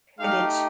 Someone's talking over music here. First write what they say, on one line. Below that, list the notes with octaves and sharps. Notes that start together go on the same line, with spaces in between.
and it's
A3 D#4 G4 F5